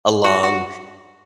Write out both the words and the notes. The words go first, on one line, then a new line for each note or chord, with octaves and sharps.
a lung,
F#4
F#4